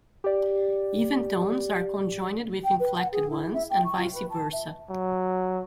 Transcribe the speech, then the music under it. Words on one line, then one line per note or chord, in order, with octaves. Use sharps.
Even tones are conjoined with inflected ones, and vice versa.
G4 D5
G5
B4
F#5
G#4
E4
E5
G5
C#6
F4
B4
A5
E5
F#3